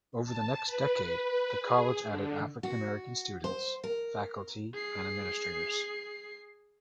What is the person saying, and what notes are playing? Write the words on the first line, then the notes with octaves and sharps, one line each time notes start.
Over the next decade, the college added African-American students, faculty and administrators.
A5
B4
B4
G#4
D3
F#4
C5
A#4
G#4 C7